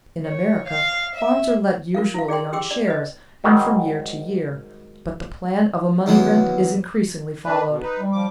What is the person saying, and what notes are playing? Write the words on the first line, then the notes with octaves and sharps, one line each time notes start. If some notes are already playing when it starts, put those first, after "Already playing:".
In America farms are let usually on shares, and from year to year, but the plan of a money rent is increasingly followed.
C#5
F5
E5
F4 A#4 F5
E4 F5
G#4 D5 G5 C6
G4 G#4 G5 C6 D6 E6
D5
B4 D#5
G#2 D#3 F#3 G3
D#2 E3 F#3 B3
D3 D4 B4
B2
D#4 B4
G3
F3 D6